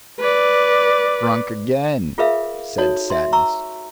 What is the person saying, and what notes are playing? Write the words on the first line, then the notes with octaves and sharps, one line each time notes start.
"Drunk again," said Sadness.
B4 D5
F4 G#4 A#4 B4 E5 F5
D#4 F#4 A4 C#5
E5 C6
A#5 C#6 E6